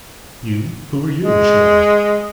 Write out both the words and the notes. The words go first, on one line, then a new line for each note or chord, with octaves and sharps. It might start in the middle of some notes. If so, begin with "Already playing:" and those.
'You--who are you?' she asked.
G#3